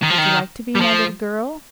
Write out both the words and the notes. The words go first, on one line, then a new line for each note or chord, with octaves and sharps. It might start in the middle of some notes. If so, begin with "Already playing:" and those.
"Would you like to be my little girl?"
D#3
F3
D#3
G3
F3